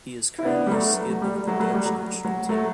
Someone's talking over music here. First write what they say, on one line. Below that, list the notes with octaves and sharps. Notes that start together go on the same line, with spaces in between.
He is currently skip of the Dutch national team.
E4
B3 D4
G3
F#3 A3
F#3
G3
G3
F#3 A3
F#3 A3
G3
F#3
F#3
F#3 A3